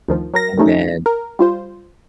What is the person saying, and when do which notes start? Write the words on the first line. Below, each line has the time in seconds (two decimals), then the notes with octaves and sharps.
And then,
0.08 D2 D#3 F3
0.34 F#3 A#4 A#6
0.58 D#3 G3 A3 C#4 D#4
1.06 A#4
1.39 G3 F4 C5